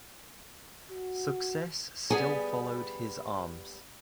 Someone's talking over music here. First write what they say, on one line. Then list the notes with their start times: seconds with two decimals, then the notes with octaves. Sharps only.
Success still followed his arms.
0.91 F#4
2.10 G3 B3 G#4 G#5